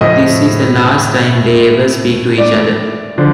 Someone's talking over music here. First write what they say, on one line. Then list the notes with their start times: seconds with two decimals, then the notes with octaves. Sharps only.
This is the last time they ever speak to each other.
0.01 A2 F3 D#5
2.38 D5
3.18 D3 F3